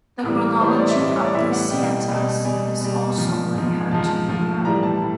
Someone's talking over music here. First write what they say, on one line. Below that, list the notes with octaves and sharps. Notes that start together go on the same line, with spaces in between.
The chronology of the sceattas is also very hard to unravel.
A2 E3 G3 A#4
A2 E3 G3 C5
C#5
D5
E5
A2 E3 G3 D#5
E5
C#5
D5
A2 E3 G3 E5
F#5
B2 G3 G5
B2 G3
B2 G3 G#5
B2 G3
G#2 F3
G#2 F3
G#2 F3 A5
G#2 F3
A2 E3 G3 A#5
A5
A2